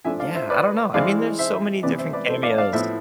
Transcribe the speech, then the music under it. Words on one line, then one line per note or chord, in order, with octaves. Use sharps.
yeah, I don't know, I mean, there's so many different cameos.
F3 A3 D4 E5 G#5
D5 F5
C5 E5
B4 D5
E3 G#3 C4 E4 D5 F5
C5 E5
C3 E3 B3 B4 D5
C5 E5
B4 D5
A4 C5
D5 F5
D5 F5
A2 F3 B3 E4 C5 E5